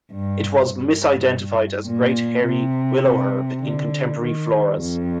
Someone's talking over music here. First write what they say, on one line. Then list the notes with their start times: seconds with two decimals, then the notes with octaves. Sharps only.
It was misidentified as great hairy willowherb in contemporary floras.
0.11 G2
0.70 G2
1.86 A#2
2.46 C3
3.62 D3
4.21 D#3
4.80 F2